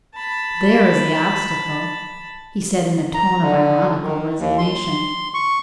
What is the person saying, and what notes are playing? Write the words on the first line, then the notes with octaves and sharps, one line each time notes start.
"There is the obstacle," he said, in a tone of ironical resignation.
A5 B5
A#5
D3
D#3
D#2
C6
C#6